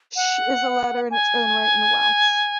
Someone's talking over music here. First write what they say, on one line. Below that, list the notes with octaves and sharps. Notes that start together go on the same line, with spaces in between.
"Ll" is a letter in its own right in Welsh.
F#5
G#5